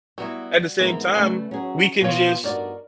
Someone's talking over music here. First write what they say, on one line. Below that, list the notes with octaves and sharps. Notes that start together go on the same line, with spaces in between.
at the same time, we can just,
F#3 G3 B3 E4 F#4
G#2 E3 B3 C4 G#4 A#4
C#3 G3 A3 B4 G#5
F#3 C#4 G#4
B2 B3 F4 C#5
G2 D#4 F#4 A#4 D5